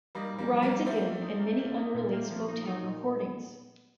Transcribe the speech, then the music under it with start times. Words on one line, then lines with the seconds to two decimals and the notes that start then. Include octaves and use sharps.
Rides Again, and many unreleased Motown recordings.
0.15 G3 A#3 D#4
0.33 A#2
0.38 G3 A#3
0.51 F3
0.62 G3 A#3
0.68 F3
0.86 A3 A#3 C4
1.04 A#3
1.22 D#4
1.40 A#3
1.59 A#3
1.76 D#4
1.94 A#2
2.12 A#3
2.30 F3
2.48 D#4
2.65 D#4
2.83 A#2